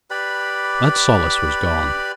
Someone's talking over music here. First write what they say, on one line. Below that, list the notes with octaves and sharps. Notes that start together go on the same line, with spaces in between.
That solace was gone.
G4 B4 D5 B5